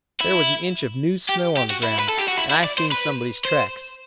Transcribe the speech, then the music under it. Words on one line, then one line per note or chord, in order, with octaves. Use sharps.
There was an inch of new snow on the ground, and I seen somebody's tracks.
E4
G4
G4
F#4
E4
B4
A4
G4
F#4
E4
E4
D5
C5
B4
C5